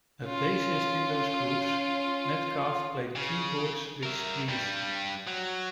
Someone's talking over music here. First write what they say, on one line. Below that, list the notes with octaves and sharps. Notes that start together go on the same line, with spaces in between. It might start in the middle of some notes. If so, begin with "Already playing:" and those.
A bassist in those groups, Metcalfe played keyboards with Squeeze.
C#4 F4
C#3
A#4 E5
G2 G3
F#3